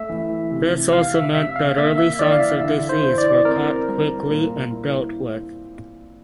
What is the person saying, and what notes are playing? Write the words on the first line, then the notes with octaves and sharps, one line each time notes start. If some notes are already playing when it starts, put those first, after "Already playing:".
This also meant that early signs of disease were caught quickly and dealt with.
Already playing: A3 E5
E3
C3
C3 F5
E5
C3 E5
F5
A#3 E5
E5
E3 D5
F5
E5
D3 E5
C5
E4
D5
C4 A#4
G3
A#2
E4